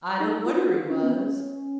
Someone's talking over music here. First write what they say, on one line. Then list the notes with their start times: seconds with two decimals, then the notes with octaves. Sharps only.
I don't wonder he was.
0.20 D#4
0.46 F4
0.56 F#4
0.73 F4
0.90 C#4
1.02 B3
1.13 C#4